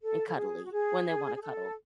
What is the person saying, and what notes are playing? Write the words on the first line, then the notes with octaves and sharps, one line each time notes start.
and cuddly when they wanna cuddle.
A4
A4
G#4
F#4
G#4
G#4
A4